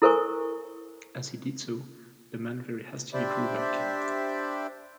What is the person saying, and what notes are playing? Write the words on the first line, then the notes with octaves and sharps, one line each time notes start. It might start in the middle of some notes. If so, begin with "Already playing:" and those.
As he did so, the man very hastily drew back.
E4 A4 A#4 C5 G#5 C#6
D4 G4 C5 D5 E5 B5